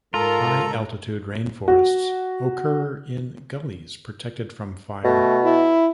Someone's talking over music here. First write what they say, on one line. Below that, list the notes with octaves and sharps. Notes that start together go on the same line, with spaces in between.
High altitude rainforests occur in gullies protected from fire.
G#2 F4 A4 A#4 A#5
F#4
B2 A3
E4